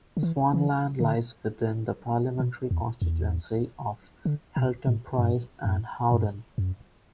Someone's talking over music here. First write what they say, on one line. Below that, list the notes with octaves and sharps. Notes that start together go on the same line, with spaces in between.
Swanland lies within the Parliamentary constituency of Haltemprice and Howden.
D3
E3
E3
D3
B2
E2
E2
D3
B2
A2
G2
F#2
G2
F#2